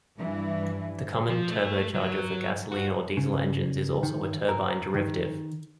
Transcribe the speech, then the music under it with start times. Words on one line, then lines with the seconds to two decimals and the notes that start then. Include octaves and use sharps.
The common turbocharger for gasoline or diesel engines is also a turbine derivative.
0.18 G2 E3
1.29 F3
1.51 A3
1.94 F#3
2.72 F#4
3.17 C#3
4.03 D#3
4.49 A#4
4.94 D#3